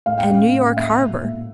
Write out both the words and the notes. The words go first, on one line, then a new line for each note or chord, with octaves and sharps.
And New York harbour!
A2 F5
G5
C#4 F5
A2
A#3 E5
A#2
A#2